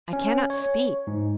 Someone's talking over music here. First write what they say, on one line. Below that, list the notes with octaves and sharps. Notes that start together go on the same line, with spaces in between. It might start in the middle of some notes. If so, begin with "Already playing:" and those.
I cannot speak!
C#4
C#5
G#2